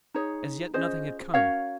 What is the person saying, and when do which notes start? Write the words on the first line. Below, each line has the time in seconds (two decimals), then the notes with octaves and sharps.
As yet, nothing had come.
0.14 D#4 G#4 C#5
0.74 C#4 F4 G#4 C5 D#5
1.34 C#4 F#4 A#4 C#5 F5